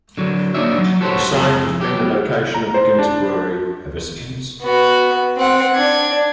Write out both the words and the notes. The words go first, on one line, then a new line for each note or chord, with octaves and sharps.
The site has been the location of the Guinness brewery ever since.
D3 F#3
A#3 D4 D#4 C#5 D5 E5
F#3
F#4 G4 A4 C5 C#5 F#5
F2 G#3 A4
F#3 G4
A#5
C5
D4
B3 F#4
C4 F#5
D4 G#6